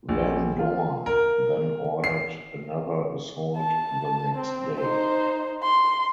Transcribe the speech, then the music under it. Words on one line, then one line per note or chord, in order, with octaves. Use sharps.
Van Dorn then ordered another assault the next day.
A#1
F4
A#4
C7
A5
C4
D#4 C5
C6